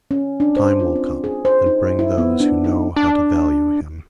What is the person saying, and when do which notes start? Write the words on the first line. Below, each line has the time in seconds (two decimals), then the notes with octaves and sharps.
Time will come and bring those who know how to value him.
0.11 C#4
0.40 D4
0.57 C5
0.80 F4
0.95 C4
1.24 G#4
1.45 C5
1.66 D#4
1.99 E4
2.18 B3
2.40 D4
2.64 D#4
2.96 D4